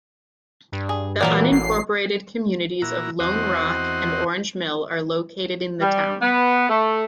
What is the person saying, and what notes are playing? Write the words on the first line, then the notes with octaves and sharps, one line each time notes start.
The unincorporated communities of Lone Rock and Orange Mill are located in the town.
G2
G#4
A#2 E3 F#3 A#4 D5
A1 C7
A#2 E4 F#4 A#5
E2 C4 F#4 C5 D#5 F#5
G3
B3
A3